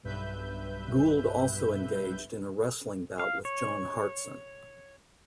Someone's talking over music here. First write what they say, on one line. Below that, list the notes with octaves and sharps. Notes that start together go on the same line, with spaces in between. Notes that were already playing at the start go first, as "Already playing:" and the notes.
Gould also engaged in a wrestling bout with John Hartson.
B1 G2 B4 E5 G6
F5
C#5